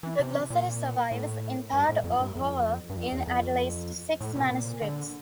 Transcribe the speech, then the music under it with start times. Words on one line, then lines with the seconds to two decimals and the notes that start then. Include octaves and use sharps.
The glossary survives, in part or whole, in at least six manuscripts.
0.03 E3
0.20 C3
0.50 A#2
1.11 A2
1.73 G2
1.89 A2
2.04 F2
2.20 G2
2.36 F2
2.90 G2
2.97 F2
3.12 E2
3.27 F2
4.21 A2
4.36 A#2
4.43 C3
4.52 A#2
4.81 D3